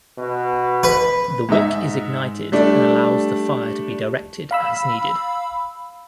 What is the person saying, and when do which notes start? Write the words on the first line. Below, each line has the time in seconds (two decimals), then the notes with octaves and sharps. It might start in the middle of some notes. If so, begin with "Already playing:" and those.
The wick is ignited and allows the fire to be directed as needed.
0.18 B2
0.83 B4
1.49 G#2 D#4 E5
2.52 G3 A3 D4
4.51 F5 B5 E6